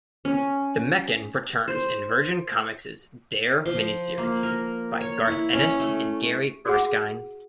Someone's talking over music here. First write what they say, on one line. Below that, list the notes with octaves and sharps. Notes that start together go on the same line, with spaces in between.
The Mekon returns in Virgin Comics' Dare miniseries by Garth Ennis and Gary Erskine.
C#4
C5
F3
A#3
A#4
C#5
E4
C#4
A3
F#4 G#4 F#5